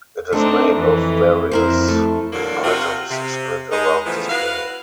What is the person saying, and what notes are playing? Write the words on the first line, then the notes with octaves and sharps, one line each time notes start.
It is made of various items split around the screen.
A3 C4 D4 D#4
F2 E3
F2 E4 A#4 C5
A3
E2 G2 A#2 D3 F#3 A#3
C3 F4 F#4
C3
G#3 D#4
C#3 E3 F3 A3 B3
E4 F#4 B4 F5